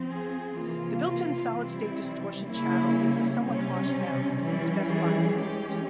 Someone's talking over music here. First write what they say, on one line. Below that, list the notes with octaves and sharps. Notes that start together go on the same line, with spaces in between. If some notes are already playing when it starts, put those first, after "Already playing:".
The built-in solid-state distortion channel gives a somewhat harsh sound, and is best bypassed.
Already playing: F3 C4
G#4
C3 E3 A#3 F4
F4
C3 E3 G3 C4 E4
C#3 G3 A#3 C#4 E4
C3 G3 C#4
E3 G3 C#4
G#4
E3 G#3 C#4 G4